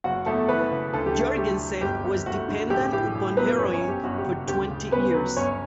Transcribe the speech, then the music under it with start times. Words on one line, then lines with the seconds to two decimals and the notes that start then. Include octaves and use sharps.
Jourgensen was dependent upon heroin for twenty years.
0.04 F#1 F#4 F#5
0.26 E2 A3 A4
0.48 E3 B3 B4
0.71 C#3
0.93 D2 A4
1.06 G4
1.15 D3 A3 A4
1.37 A3 G4
1.60 F#3
1.81 G1 G4
2.04 F#2
2.26 A3 F#4
2.48 D3
2.70 A1 G4
2.92 A2 G4
3.15 A1
3.37 F#3 B3 B4
3.59 G1 C#4 C#5
3.74 C#4 C#5
3.81 F#2
3.88 G4
4.04 G1 F#4
4.18 G4
4.26 C#3
4.47 D2 G4
4.70 C#3
4.92 B3 C#4 B4
5.14 F#3
5.36 G1 C#4 C#5